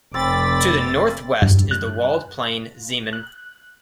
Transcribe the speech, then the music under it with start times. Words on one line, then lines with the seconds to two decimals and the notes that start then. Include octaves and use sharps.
To the northwest is the walled plain Zeeman.
0.14 F1 C4 B5 D6 A6
1.42 G2
1.71 F#6
3.13 F#6